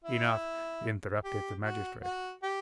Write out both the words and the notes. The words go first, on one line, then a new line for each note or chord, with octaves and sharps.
"Enough," interrupted the magistrate.
E4
G4
F#4
F#4
G4